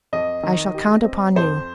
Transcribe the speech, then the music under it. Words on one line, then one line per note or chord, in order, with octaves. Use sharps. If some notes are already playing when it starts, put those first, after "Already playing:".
I shall count upon you.
F2 D#5
D#3
G4
C4
F2 C5